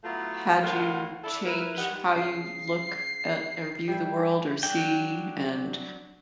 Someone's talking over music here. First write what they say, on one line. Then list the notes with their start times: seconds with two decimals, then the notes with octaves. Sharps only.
had you change how you look at or, view the world, or see, and
0.04 F#3 A3 B3 E4 F4
0.63 D2 A2 D#3 F4 F#4 F#5
1.24 D4 E4 A4
1.45 E4 A#4 B4
1.78 D#3 G3 D#4 B4 F#5
2.15 C#3 C7
3.88 G3 E4
4.63 F#3 D4 G5